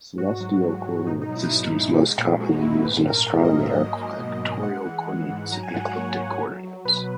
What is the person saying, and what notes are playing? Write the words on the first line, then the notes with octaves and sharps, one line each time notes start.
Celestial coordinate systems most commonly used in astronomy are equatorial coordinates and ecliptic coordinates.
G#2 F#4
F#3
G#2
G#2
B2 D#4
D#4
F#3
E4
B2
B2
G#3
A#2
G#3 F#4
D#4
A#2 E4
E4
G#2 B4
G#2 A#4
G#2
D#5
A#3
E5
F#3 D#5
A#3
B2
B2
G#3 F#5
E3
G#3
G#2
F#3 A#5
G#5
G#2 F#5
F#5
A#3 C#5
F#3
F#3
F#3
B2 B4